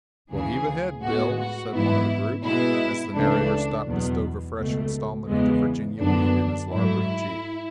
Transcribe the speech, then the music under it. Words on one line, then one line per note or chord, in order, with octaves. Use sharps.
"Well, heave ahead, Bill," said one of the group, as the narrator stopped to stove a fresh instalment of the Virginia weed in his larboard cheek.
D2 C#3 E3 G#4
A2 G#3 B3 F#4
F#4
G#2 E3 B3 E4
B2 G#3 B3 E4
C#2 C#3 E3 A3 D4
E2 B2 F#3 B3
C#2 B2 A3
E2 C#3 E3 G#3 B3
F#2 D3 F#3 B3 D4
G#2 F#3 A3 E4